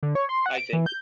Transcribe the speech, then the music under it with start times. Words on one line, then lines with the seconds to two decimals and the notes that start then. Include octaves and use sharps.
I think
0.03 D3
0.15 C#5
0.29 C6
0.46 F#5
0.58 D7
0.73 E3
0.86 G6